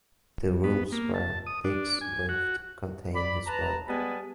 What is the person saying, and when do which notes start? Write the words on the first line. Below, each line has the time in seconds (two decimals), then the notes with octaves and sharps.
The rooms where Dix lived contain his work.
0.64 B3
0.92 A#3
1.14 A5
1.46 D#6
1.64 D4
2.01 G#5
2.29 F#4
3.14 D5 B5
3.46 B4 A5 A#5
3.87 G3 G#3 B3 G#5 A5 B5